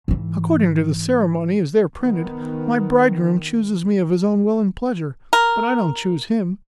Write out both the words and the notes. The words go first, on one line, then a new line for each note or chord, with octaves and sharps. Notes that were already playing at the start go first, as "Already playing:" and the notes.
According to the ceremony as there printed, my bridegroom chooses me of his own will and pleasure; but I don't choose him.
G#2 E3
D#3 B3
A#4